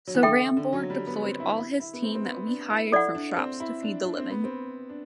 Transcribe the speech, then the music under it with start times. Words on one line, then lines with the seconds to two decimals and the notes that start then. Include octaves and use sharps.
So Rambourg deployed all his team that we hired from shops to feed the living.
0.07 F#3
0.15 E3
0.22 D3 A4 E5 G5
0.57 D3
0.73 F#3
0.90 G3
1.07 B3
1.24 C4
1.40 E4
1.57 E4
1.80 E4
1.94 B3
2.03 C4
2.15 C4
2.25 B3
2.47 D4
2.69 E4
2.92 E4 A4 D5 F#5
3.15 D4
3.37 C4
3.60 E4
3.83 D4
4.04 D4
4.17 C4
4.30 B3
4.44 C4
4.89 D4